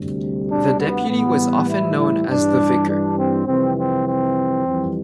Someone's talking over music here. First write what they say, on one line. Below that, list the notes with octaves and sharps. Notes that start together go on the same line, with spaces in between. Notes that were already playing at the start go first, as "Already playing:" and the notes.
The deputy was often known as the 'vicar'.
Already playing: D2 C3 G3
D4
B3
A2 E3 G3 B3
E4
E4
G2 E3 G3 D4
D4
C4
F2 C3 E3 G3 C4
C4
C4
F2 E3 G3